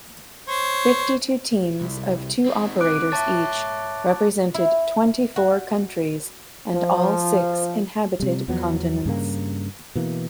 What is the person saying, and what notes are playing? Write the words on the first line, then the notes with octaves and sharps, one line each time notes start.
Fifty-two teams of two operators each represented twenty-four countries and all six inhabited continents.
C5 C#5
C2
C4 D#4
D6 F#6 D7
C#5 E5 A5 C#6 A6
E4
F#4
F3
C3 G3
E2 F3 F#3 B3
G2 C#3 A#3
B2 E3 A#3